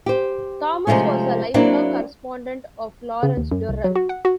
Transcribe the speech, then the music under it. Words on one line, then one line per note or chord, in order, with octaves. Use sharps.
Thomas was a lifelong correspondent of Lawrence Durrell.
G4 C5
C3 F3 G#3 A3 C#4
F#3 A#3 C4 D4 E4
C#3
D#2
F#2
C2
F#3
F#4
F#5
F#4